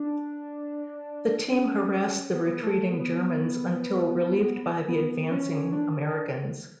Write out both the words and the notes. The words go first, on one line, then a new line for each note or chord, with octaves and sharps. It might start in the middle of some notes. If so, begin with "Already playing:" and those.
The team harassed the retreating Germans until relieved by the advancing Americans.
Already playing: D4
C#4
B3
A3
B3
B3
C#4
D4
D4